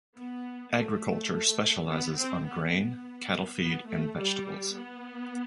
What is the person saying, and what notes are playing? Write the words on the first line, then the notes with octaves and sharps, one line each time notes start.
Agriculture specialises on grain, cattle feed and vegetables.
B3
A3
B3
C4
B3
B3
B3
A3
G3
B3